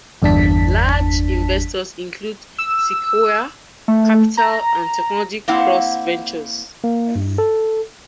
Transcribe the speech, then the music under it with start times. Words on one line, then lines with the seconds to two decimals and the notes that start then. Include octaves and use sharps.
Large investors include Sequoia Capital and Technology Cross Ventures.
0.22 G1 E2 G2 D4 A5 B6
2.58 E6
3.88 A3
4.37 A#5
5.48 A#3 C4 E4 F5 F#5
6.84 A#3
7.15 G2
7.38 A4